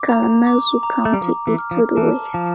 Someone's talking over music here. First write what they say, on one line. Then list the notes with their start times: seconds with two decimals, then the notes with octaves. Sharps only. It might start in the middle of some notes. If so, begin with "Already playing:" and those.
Kalamazoo County is to the west.
Already playing: D6
0.09 A#5
0.47 D6
0.83 A#5
1.05 A3
1.14 G3
1.21 F3 A#5
1.47 E3
1.59 F6
1.71 F3
1.97 E3 A5
2.34 F3 A5